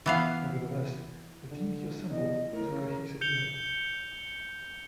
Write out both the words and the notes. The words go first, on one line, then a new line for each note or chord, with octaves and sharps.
Nevertheless, the team he assembled was a cohesive unit.
E3 B3 F5
D3
E2 D#5
A2 A#4
C#3
G6 C#7 F7 G7